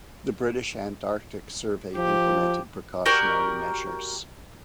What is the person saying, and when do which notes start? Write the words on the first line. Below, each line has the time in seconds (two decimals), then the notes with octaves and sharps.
The British Antarctic Survey implemented precautionary measures.
1.97 F3 G4
3.06 F#4 G4 A#4 D5